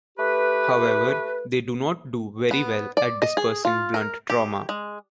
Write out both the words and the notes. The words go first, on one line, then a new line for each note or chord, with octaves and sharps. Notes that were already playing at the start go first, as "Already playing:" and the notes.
However, they do not do very well at dispersing blunt trauma.
A3 G4 B4
B3
D5
D#5
G#4
F4
A#4
G4
G#3